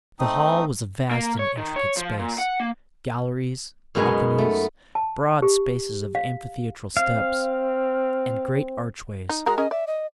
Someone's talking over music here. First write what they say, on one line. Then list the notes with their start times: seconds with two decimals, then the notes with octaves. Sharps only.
The hall was a vast and intricate space--galleries, balconies, broad spaces of amphitheatral steps, and great archways.
0.19 A3 C4 D#4 D#6
1.11 A#3
1.39 C#5
1.57 D#3
1.76 C#5
1.97 F3
2.19 A#2
2.38 F#5
2.60 A#3
3.95 F#2 B2 G#3 B3 D#4 G#5
4.38 A3 B3
4.95 A5
5.42 G4
6.15 F5
6.97 C4 F5
9.29 D#4
9.46 G#3 F#4 A#4 A#5
9.58 C#4 G#4 A#4 D#5
9.71 D5 E5
9.87 D#5